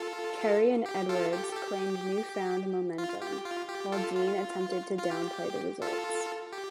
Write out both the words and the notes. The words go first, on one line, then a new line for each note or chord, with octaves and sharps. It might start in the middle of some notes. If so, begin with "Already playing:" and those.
Kerry and Edwards claimed newfound momentum, while Dean attempted to down-play the results.
Already playing: F4 A4
G4
F4 A4
G4
A4
G4
F4
G4
F4
G4
F4 A4
F4
F4
G4
F4 A4
G4